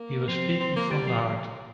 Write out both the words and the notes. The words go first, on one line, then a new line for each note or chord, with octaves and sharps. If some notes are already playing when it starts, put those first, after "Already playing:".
He was speaking from the heart.
Already playing: A#3
F3 C4
C4
A#3
D3 G3
F3